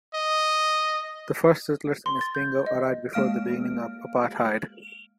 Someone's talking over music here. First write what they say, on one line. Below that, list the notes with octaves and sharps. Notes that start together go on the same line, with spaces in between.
The first settlers in Isipingo arrived before the beginning of Apartheid.
D#5
C6
A6
G6
D#5
G#3 A#3 F5 F6 D7